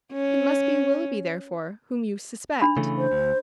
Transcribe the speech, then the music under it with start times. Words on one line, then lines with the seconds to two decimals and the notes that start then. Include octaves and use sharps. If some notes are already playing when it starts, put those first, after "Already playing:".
It must be Willoughby therefore whom you suspect.
0.13 C#4
2.61 D4 B5
2.76 C#3 E3 A3
2.98 C5
3.12 D2